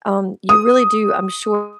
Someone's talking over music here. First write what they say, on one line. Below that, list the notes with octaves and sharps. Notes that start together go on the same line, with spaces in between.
um, you really do, I'm sure,
D#6